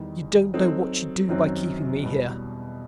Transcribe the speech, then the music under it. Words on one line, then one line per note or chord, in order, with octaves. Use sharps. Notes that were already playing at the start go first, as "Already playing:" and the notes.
You don't know what you do by keeping me here.
Already playing: E2 D#3 G3
F#3 C4 D#4 A4
F#2 D#3 F#3 C4
E2 B2 G3